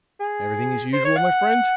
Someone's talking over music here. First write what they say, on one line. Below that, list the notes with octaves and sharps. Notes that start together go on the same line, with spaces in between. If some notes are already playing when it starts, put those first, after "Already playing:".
"Everything as usual, my friend?"
G#4
C5
C#5
F#5